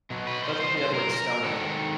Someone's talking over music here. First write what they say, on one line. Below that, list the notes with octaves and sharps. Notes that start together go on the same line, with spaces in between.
that's what Edward Snowden.
B2 F#3
B4
C5
C5
C5
A#4
A#4
A#4
G#2 D#3 F#3 A4